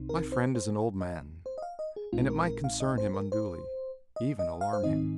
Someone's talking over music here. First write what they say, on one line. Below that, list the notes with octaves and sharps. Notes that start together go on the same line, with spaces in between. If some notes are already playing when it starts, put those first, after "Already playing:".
My friend is an old man, and it might concern him unduly--even alarm him.
Already playing: C2 C3 C4 D#4
A#4
C5
C5
D#5
C5
D#5
F5
D#5
G#4
A#1 A#2 G#3 C4 D#4 F4
A#4
A#4
F5
D#5
C5
A#4
C5
D#5
D#5
F5
C5
G#2 D#3 C4 D#4 D#5